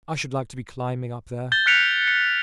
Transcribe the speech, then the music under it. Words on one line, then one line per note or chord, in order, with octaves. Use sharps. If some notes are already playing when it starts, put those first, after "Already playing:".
I should like to be climbing up there!
G6 A6 G7
F6 F#6 B6 C#7 D7 F7
C#7